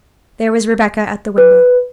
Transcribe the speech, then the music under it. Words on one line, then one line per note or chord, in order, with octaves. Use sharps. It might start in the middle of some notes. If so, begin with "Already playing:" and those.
There was Rebecca at the window.
B4